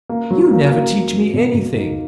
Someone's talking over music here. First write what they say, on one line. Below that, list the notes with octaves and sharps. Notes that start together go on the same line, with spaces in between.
"You never teach me anything."
A#3
F#3
A#3
A#3
F#3
F#3
B2
B2
D#4